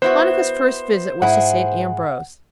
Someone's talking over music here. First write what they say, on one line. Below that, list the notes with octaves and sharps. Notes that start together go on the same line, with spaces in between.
Monica's first visit was to St. Ambrose.
B3 E4 F#4 C5
G#2 E4 G#4 F#5